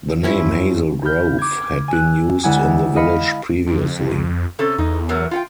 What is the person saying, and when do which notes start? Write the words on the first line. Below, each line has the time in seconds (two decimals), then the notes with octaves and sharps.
The name Hazel Grove had been used in the village previously.
0.23 F#2 F3 C#4 E4
1.05 B5 F6 G6
1.39 D6 G#6
1.88 G#5 E6 F#6
2.43 D2 G#3 E4 F#5 G#5 E6
2.96 D#5 F5 B5 F6 C#7
3.67 F2
4.59 C3 C#4 A4
4.78 E2 D#4
5.09 F#3 A3 A#4
5.31 F4 F#5 G5